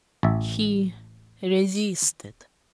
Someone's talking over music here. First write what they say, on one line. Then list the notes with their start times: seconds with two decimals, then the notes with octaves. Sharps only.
He resisted....
0.23 A1 E5